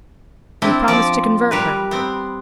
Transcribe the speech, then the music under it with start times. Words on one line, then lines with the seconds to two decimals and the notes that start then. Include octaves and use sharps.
"You promise to convert her?"
0.62 C4 D4 E4
0.88 F3 D5
1.51 G3 A#4 B4
1.91 B3 C4